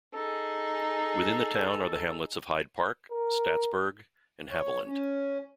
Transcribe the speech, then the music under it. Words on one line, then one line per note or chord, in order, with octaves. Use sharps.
Within the town are the hamlets of Hyde Park, Staatsburg, and Haviland.
D#4 G#4 A4
A#4
C#5
C#4